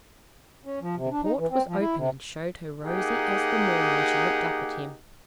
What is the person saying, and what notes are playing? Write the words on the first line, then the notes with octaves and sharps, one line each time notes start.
The port was open and showed her rosy as the morn when she looked up at him.
C#4
F3
C3
D4
D#4
E3
C4
F3
E4
C3
A#3 D#4 G4 G#4 F#5